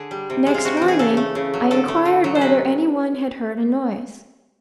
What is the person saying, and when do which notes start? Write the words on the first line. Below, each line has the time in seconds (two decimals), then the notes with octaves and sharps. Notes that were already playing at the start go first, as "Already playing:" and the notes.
Next morning I inquired whether any one had heard a noise.
Already playing: D3 G#4
0.11 G3
0.30 C3
0.46 G#3
0.54 F4
0.65 C3 F#4
0.77 E3 G4
0.88 G#4
0.99 C#3 A4
1.17 A3
1.35 C#3
1.54 F#3
1.71 D3 A4
1.88 A3
2.05 D3
2.24 F#3
2.35 C5
2.41 C3 B4